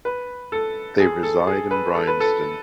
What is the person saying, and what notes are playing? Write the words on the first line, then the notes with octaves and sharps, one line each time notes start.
They reside in Bryanston.
B4
A4
G#4
A4
G#4
B4
A4
B4
A4